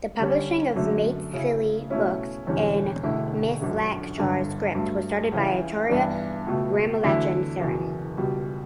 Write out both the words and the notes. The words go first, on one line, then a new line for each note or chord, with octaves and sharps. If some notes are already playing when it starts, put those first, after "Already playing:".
The publishing of Maithili books in Mithilakshar script was started by Acharya Ramlochan Saran.
D3 G3 C#4
F#2 D3 F#3 A3
C#3 F#3 C#4 E4
B2 A3 C#4 E4
E1 E2 D3 G3 C#4
E1 D2 D3 A3 E4
G1 F#2 D3
G1 G2 D3
G2 F#3 A3
C#2 C#3 E3
G2 E3 B3 D4
C#2 B2 A3
E2 D3 F#3 A3 E4
F#1 E2 B2
C#2 B2 G3